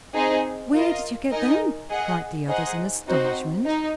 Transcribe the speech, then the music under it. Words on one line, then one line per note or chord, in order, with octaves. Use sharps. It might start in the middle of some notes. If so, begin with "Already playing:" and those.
"Where did you get them?" cried the others in astonishment.
C4 D#4 G#4 C5
F4 A#4 D#5
D#4 A#4 D#5 G#5
G#4 D#5 F#5
D#4 G#4 C5 D#5 F#5
C4 D#4 F#4 C5
D#4